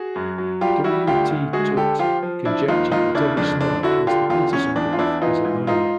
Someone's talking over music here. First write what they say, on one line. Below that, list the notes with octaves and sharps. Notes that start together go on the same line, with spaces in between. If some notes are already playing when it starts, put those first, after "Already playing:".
W. T. Tutte conjectured that every snark has the Petersen graph as a minor.
Already playing: F#4 G#4
F#2
F#3
G3 F4 G4
G3 E4 F#4
D2 F4 G4
D2
G#3 F#4 G#4
D3 G4 A4
F3 F4 G4
F3
F3 D4 E4
D#2 D#4 F4
D#2 D#4 F4
C#3 D4 E4
F2 D4
D3 D4
D3 E4 F#4
D3 F4 G4
E2 F4 G4
E2 C#4
E2 D4
F4
E2 D4 E4
E3 D#4 F4
G#2
G#2 D#4 F4